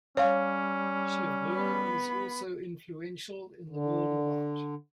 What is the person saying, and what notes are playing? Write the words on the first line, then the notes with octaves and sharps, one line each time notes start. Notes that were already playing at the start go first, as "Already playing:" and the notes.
Chevreul was also influential in the world of art.
G3 C#4 C#5 F5
B3 B5
D3